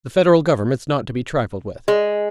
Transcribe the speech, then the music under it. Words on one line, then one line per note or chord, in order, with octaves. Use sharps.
The Federal Government's not to be trifled with.
G#3